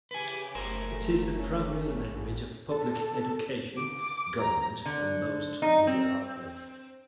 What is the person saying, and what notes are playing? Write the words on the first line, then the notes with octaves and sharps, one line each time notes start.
It is the primary language of public education, government and most media outlets.
C#3 G4 B4 G#5 D6
F#1 A3 A#4 C5 G#5
C#4
A1
A4
D6
A#5
D3
D#4
C4